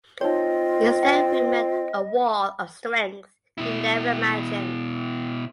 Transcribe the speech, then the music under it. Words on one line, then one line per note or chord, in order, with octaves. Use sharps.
Instead he met a wall of strength he never imagined.
C4 D#4 F4 C#5 D#5
G5
B2 E4